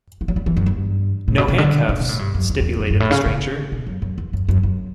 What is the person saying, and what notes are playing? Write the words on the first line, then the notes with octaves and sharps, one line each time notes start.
"No handcuffs," stipulated the stranger.
E3
F#3
G3
E3
F#2
G2
A2
B2
B2
D3
B2
B2
A2
G2
F#2
E2
E2
F#2
G2
A2
C#3
C#3
B2
F#2
F#2
E2
F#2
F#2
F#2